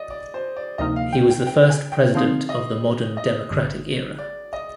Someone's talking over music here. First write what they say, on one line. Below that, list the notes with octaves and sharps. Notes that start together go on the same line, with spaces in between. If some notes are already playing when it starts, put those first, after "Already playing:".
He was the first president of the modern democratic era.
Already playing: D5 D#5
D5
C5
D5
D2 C3 F3 A#3 D#4 D#5
F5
G5
G5
G5
G#5
G5
D3 F3 C4 D#4 F5
D#5
D#5
G#1 G2 D3
D5
D#5